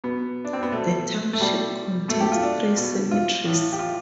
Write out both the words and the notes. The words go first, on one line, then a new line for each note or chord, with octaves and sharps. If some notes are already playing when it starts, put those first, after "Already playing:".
The township contains three cemeteries.
B2 B3
D4
C4
B3
B2 A3
A3
B2 G3
B2 A3
G4
F4
D4
B2
F4
A2 E3
G4
F4